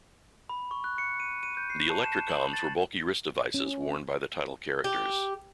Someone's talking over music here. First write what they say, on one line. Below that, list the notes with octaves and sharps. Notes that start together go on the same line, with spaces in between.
The ElectraComs were bulky wrist devices worn by the title characters.
B5
C#6
F#6
C#7
D#7
D#7
G6
C7
A5
E7
F#7
A6
C#4
G4